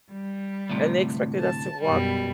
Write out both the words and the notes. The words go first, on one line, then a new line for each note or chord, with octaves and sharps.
and they expected us to walk
G3
D2 A2 C3
A5
F#2 B2 G3